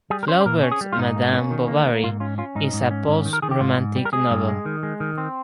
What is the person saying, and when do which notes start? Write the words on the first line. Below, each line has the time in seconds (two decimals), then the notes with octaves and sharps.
Flaubert's "Madame Bovary" is a post-Romantic novel.
0.10 G3 G#4
0.23 A#4
0.28 C#4 C5
0.40 C5
0.45 A#2 A#4
0.63 C#4
0.71 G#4
0.81 G3
0.92 F4
0.98 G#2 D#4
1.16 A#3
1.33 C#4
1.51 D#3
1.68 A#3
1.86 A#3
2.03 G#2 F4
2.20 C#4 F4
2.38 C#4 F4
2.55 G#2 D#4
2.73 G#2
2.91 C#4
3.08 G#2
3.25 D#3
3.33 A#4
3.42 D#3 G#4
3.51 G4
3.61 G#2 F4
3.78 G#2
3.96 G3
4.05 A#4
4.13 G#3 G#4
4.31 G2
4.48 G#3
4.66 D#3
4.83 G#3
5.00 D#3
5.18 C4